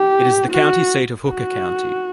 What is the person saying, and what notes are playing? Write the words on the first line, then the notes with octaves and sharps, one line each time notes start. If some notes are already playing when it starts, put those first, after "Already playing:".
It is the county seat of Hooker County.
Already playing: G4
F#4
F#4